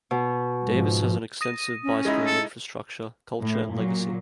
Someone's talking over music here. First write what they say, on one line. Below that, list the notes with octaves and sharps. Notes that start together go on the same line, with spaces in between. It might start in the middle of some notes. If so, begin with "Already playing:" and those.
Davis has an extensive bicycling infrastructure, culture and legacy.
B2
G#2 F3
D#6 A#6 D#7
C#4
G#3 D#4 E4
A4
A2
A#2 F#3